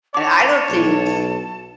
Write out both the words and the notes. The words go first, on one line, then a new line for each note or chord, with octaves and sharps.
and I don't think
C#5 A5 D6
B1